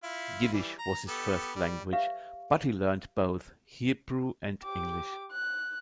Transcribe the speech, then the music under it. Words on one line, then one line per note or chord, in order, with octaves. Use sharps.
Yiddish was his first language, but he learned both Hebrew and English.
E4 F4
E3 G3
A#5
B3 G4 A4
G3
G4 B4 C#5 E5 F5 C#6
G4 D6
F#6